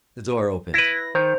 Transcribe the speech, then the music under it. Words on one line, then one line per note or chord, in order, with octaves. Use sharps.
The door opened.
E4 B4 A#6
D#3 C5